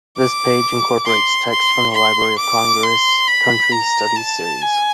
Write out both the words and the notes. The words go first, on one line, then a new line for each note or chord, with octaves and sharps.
This page incorporates text from the Library of Congress's Country Studies series.
D6
C6
C6
C6
D6
C6
B5
A#5
A5
G#5